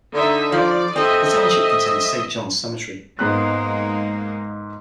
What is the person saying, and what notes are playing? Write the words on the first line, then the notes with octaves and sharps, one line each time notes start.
The township contains Saint Johns Cemetery.
D3 D#4 E5
F3 D5
C4 A4 D#5 E5
G#2 G#3 A#3 B3 D#4 F#6